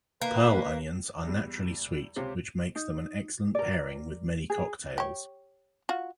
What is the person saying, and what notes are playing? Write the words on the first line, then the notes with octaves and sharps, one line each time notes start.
Pearl onions are naturally sweet, which makes them an excellent pairing with many cocktails.
D#3 A#3 A#4 B4
E2 G3
C#2 C3 C#4 G4 C5
D#4
A#4 D5
G#4
G4 C#5
F4 F#4